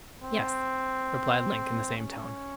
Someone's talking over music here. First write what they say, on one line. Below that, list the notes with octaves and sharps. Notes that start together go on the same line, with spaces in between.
"Yes," replied Link in the same tone.
C4
C#4